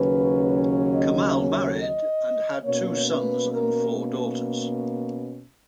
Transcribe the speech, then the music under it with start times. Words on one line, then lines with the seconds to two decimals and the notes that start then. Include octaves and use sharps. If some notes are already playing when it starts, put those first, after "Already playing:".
Kamal married and had two sons and four daughters.
Already playing: D#2 C#3 F#3 C#4 B4
0.92 D#5
1.35 C#5
1.79 D#5
2.65 B2 A#3 C#4 C#5
3.08 B4
3.52 A#4